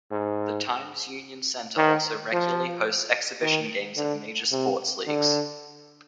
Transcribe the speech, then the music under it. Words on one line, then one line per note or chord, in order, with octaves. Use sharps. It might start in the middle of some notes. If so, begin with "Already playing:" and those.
The Times Union Center also regularly hosts exhibition games of major sports leagues.
G#2
D#3
F3
D#3
D3
C3
D3